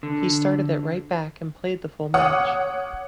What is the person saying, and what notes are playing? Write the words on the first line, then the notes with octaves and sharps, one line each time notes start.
He started at right back and played the full match.
D3
C#5 F#5 D6 D#6